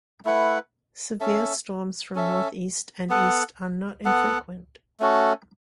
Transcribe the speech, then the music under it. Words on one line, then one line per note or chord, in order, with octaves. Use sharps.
Severe storms from northeast and east are not infrequent.
A3 E4 B4 F#5
C#4 A4 E5
C#4 A4 E5
B3 A4 F#5
B3 A4 F#5
A3 C#4 F#4 A4